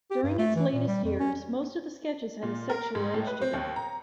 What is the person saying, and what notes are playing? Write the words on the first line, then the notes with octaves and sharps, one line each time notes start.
During its latest years, most of the sketches had a sexual edge to them.
G4
G2
A3
E3
A#2
G3
F2
C#4
A#2
A#4
G#2
A2
B4
C4
D#2
A#5